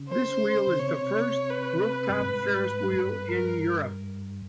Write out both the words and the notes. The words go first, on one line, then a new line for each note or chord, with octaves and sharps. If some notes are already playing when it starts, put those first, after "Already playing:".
This wheel is the first rooftop Ferris wheel in Europe.
Already playing: C#3
C5
C#3
C3 C#5
B4
G2
G#2
G2 B4
A#4